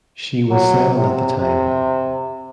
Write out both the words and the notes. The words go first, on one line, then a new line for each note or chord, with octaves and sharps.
She was seven at the time.
F#3
C3
C3